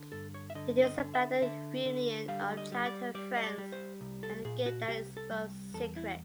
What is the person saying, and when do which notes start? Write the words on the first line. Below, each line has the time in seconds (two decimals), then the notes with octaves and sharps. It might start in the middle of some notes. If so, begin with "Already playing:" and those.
It is about the reunion of childhood friends and the game that exposed secrets.
Already playing: D3
0.12 G2 A4
0.34 C#5
0.50 E5
0.55 D3 D#5
0.84 D#5
0.98 D3
1.14 E5
1.42 D3 E5
1.85 D3
2.28 G3 F5
2.57 D#5
2.72 G3
2.86 D5
3.15 G3 D5
3.37 D#5
3.44 D5
3.58 G3
3.72 C5
4.01 C2
4.23 A4
4.45 A#2 G#4
4.66 F#4
4.88 C2 G4
5.17 A4
5.31 G3
5.74 E2 A4
5.96 E4